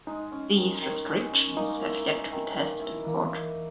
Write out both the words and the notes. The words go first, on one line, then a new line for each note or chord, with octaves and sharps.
These restrictions have yet to be tested in court.
G#3 D#4
C#4
D#3
D#3
G#3
C#4
A#3 D#4
E4
B4
D#3
A#3
E4
E3 A#3
D#4